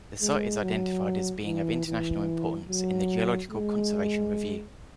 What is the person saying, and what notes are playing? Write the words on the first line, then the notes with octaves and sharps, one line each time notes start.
The site is identified as being of international importance in the Geological Conservation Review.
G#3
F#3
E3
E3
F#3
G#3